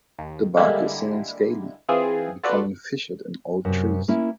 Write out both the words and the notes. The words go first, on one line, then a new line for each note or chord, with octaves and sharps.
The bark is thin and scaly, becoming fissured in old trees.
D#2
D3 G3 G#3 A#3 E4
E3 C4 F4 G#4
F4 F#4 A4 B4 D5
F#2 C3
A#3 C#4 E4